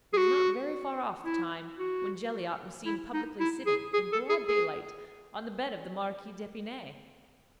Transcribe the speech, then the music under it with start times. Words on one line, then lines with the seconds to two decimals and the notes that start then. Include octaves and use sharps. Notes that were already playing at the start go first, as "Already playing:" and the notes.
It was not very far off the time when Jelyotte was seen publicly sitting, in broad daylight, on the bed of the Marquise d'Epinay.
0.13 G#4
0.17 F#4
1.25 E4
1.78 F#4
2.86 E4
3.14 D#4
3.40 E4
3.67 G#4
3.93 G#4
4.12 A4
4.29 G#4
4.48 G#4